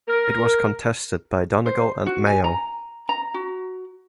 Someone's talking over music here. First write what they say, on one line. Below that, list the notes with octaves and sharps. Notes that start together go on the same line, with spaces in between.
It was contested by Donegal and Mayo.
A#4
C5
F#4
G#5
A#5
A#5
F#4